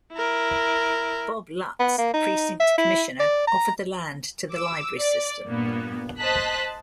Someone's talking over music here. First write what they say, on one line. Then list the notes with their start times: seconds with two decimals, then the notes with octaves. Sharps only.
Bob Lutts, the precinct commissioner, offered the land to the library system.
0.13 E4 A#4
1.80 B3
1.98 A#3
2.14 D#4
2.60 E5
2.78 E4
3.20 D5
3.47 A#5
4.52 D6 E6
4.98 D5
5.46 G2 A#2 A#3 B3
6.20 C5 D#5 A5 F#6 B6